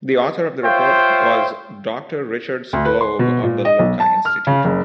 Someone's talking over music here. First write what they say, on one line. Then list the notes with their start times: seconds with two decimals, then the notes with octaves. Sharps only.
The author of the report was Doctor Richard Sclove of the Loka Institute.
0.64 F4 C5 C#5 E5 F5 G5
2.73 D2
2.85 B4
3.01 C6
3.19 B2
3.43 A#2
3.65 D#5
3.79 B1
4.00 A5
4.25 F6
4.47 C#3
4.64 F#1